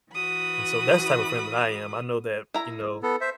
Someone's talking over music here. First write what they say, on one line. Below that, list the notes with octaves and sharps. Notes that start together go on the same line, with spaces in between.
and so that's the type of friend that I am. I know that, you know,
E3 F#4 B5 D#6
E4 A#5
B3 A4
C5 E5